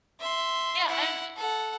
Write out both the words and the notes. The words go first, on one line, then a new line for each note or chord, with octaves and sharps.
Yeah, and
E5 C6
E4 F#5
A4 F#5